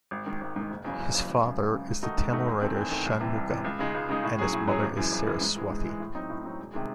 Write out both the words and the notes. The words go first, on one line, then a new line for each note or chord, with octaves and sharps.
His father is the Tamil writer Shanmugam and his mother is Saraswathi.
G#1
G#2 D#3
G#1
G#2 D#3
F#1
E2 C#3 F#3
F#1
E2 C#3 F#3
G#1
F#2 C#3
G#1
F#2 C#3
G#2
D#3 A3 D#4 F#4
G#2
D#3 A3 D#4 F#4
E2
D#3 A3 C4
E2
D#3 A3 C4
C2
C3 E3
C2
C3 E3
C#2
C#3 G#3 D#4
C#2
C#3 G#3 D#4
A2
F#3 C#4 G#4
A2
F#3 C#4 G#4
G#1
F#2 E3 G#3
G#1
F#2 E3 G#3
G#2
E3 G#3
G#2
E3 G#3
A2
F#3 C4 D#4
A2
F#3 C4 D#4
E1
C3 D#3 G#3